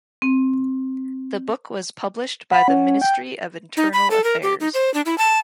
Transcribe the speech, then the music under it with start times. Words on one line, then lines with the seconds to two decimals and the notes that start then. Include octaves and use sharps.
The book was published by the Ministry of Internal Affairs.
0.22 C4
2.51 F#5 B5
2.68 C#4
3.02 G5
3.77 D#4
3.93 B5
4.10 A4
4.24 A#4
4.42 G4
4.60 D#4
4.74 C5
4.94 D4
5.06 E4
5.18 A5